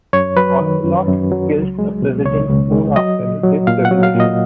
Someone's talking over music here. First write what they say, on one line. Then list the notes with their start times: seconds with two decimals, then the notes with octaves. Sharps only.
Ocelot kills the President soon after this revelation.
0.13 F#2 C#5
0.37 F#3 B4
0.61 D#3
0.84 F#2
1.08 F#2
1.32 F#3
1.55 C#2
1.79 G#3
2.02 B2
2.25 C#2 C#5
2.49 C#2
2.72 G#3
2.96 F#3 D#5
3.20 A#2
3.44 F#3
3.67 A#2 F5
3.85 F#5
3.91 F#3
4.03 F5
4.14 A#2
4.20 D#5